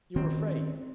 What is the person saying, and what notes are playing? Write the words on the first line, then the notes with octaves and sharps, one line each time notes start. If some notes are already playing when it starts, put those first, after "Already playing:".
You're afraid!
D#3 C4 C#4